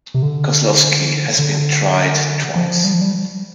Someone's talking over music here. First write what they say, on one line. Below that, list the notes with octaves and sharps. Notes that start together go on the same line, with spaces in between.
Kozlowski has been tried twice.
C3
D3
D3
F3
G3
F3
G3